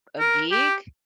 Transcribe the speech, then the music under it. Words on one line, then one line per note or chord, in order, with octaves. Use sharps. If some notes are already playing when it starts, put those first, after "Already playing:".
a gig?
A#4
G4